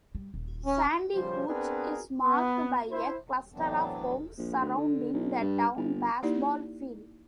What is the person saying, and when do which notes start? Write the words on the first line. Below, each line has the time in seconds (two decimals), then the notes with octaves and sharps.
Sandy Gulch is marked by a cluster of homes surrounding the town baseball field.
0.15 G3
0.34 D#1
0.66 C#4
1.13 B1 C#3 F3 G3 C5
1.47 B3 C4 D4 G#4 A#4 B4
2.22 B3
2.90 E4 C5
3.54 A2 E3 F#3 B3 C4 D4
4.38 A#1
4.61 D2
4.77 D3
5.13 B1
5.40 G2
5.77 G1
6.23 A#3 D#4 E4 G4 D5